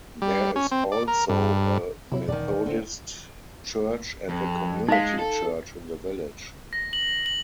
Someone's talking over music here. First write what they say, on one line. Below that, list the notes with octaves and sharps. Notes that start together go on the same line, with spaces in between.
There is also a Methodist church and a Community church in the village.
G3
C#4
C4
D5
A#4
G2
C3 F#3 E4
E1 D#3 D5
D3 A#3 C4
F2
G#3 D#4 F5
A4
A#6
F#7
F#7